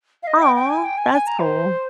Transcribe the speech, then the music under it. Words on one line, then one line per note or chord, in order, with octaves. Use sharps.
Aw, that's cool.
F5
D#5
G5
G5
G#5
G5
G#5
G#5
A#5
C5